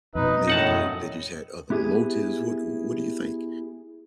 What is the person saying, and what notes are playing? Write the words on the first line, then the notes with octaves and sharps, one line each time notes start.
maybe they d they just had other motives? What what do you think?
F2 B2 D#4 B4 D#5
F#2 A2 F#3 D#4 F#5 A5
B3 E4 G4 G#4